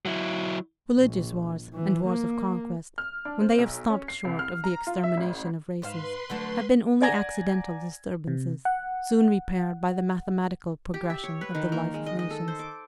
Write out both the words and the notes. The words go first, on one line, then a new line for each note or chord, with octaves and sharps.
Religious wars, and wars of conquest, when they have stopped short of the extermination of races, have been only accidental disturbances, soon repaired by the mathematical progression of the life of nations.
F#3 E4
A#1
E3
A#3
F6
D4
C4
B1
C#4
C7
C2
F6
A#5
F4
E5
A1
G#2 B4 C5 F5 C6
D3 F#3 A3
D5 F#5 G#5 A#5 G#6 A#6
C3
F#5
G4
E5
C#5
B4
D#3
A#3
G#3
D#5
D#5
A4
C5
D6